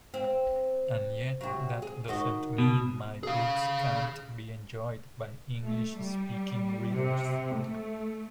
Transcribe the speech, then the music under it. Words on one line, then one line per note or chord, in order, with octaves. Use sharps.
And yet, that doesn't mean my books can't be enjoyed by English-speaking readers.
C4
C3 F#3
G#4
D#3 F#4 D#5
B2
G#4 F5
A3
G3
C3
A3